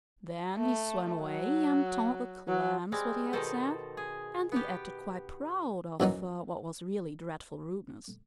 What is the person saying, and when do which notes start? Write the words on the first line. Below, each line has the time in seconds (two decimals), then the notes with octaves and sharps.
Then he swam away and told the Clams what he had said, and he acted quite proud of what was really dreadful rudeness.
0.58 A3
1.23 F#3
2.48 F#3
2.92 G3 G#3 C4
3.33 B2 D#3 D#4 A4 C5
3.97 G#4
4.52 B3 G4
6.00 F#2 E3 F#3 D#4